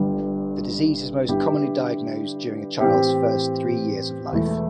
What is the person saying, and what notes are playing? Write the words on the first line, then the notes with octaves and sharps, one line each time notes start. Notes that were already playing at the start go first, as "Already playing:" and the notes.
The disease is most commonly diagnosed during a child's first three years of life.
Already playing: G1 G2 D3 G3
G2 D3 G3 E4 G4
A2 E3 C4 G4
E1 E2 E3 A3 E4